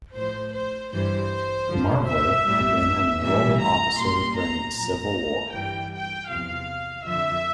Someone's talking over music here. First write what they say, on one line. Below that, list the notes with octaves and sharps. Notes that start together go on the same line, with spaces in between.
Marvil had been an enrollment officer during the Civil War.
A2 F3 C5
C5
G2 E3 G3 C5
G2 D3 F3
E5
A2 G3
A2 E3 G3 E5
A#5
A#2 G3 C6
A#5
A#2 F3 A#5
G2 E3 G3 G5
G5
E2 C3 F3 F5
F2 D3 F3 E5